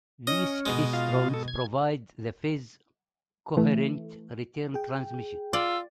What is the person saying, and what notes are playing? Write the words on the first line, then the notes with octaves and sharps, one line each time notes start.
These klystrons provide the phase coherent return transmission.
C#4 D#5
B2 G#3
F4 F5
A4
G#6
E3 A3
G#4 G5
F4 D5 E6